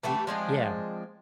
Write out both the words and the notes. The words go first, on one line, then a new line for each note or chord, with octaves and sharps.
Ye Yeah.
E3 A3 F#4 G4
F3 G#3 C4 D4